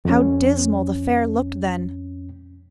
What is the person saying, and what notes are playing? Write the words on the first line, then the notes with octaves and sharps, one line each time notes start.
How dismal the fair looked then!
F2 C#4